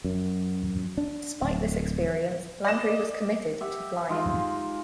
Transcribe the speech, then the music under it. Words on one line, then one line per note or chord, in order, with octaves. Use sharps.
Despite this experience, Landry was committed to flying.
F#2
D4
D1
D5 D#5 A#6 E7
G4 E5 F#5
G#3 D#4 F4 G#4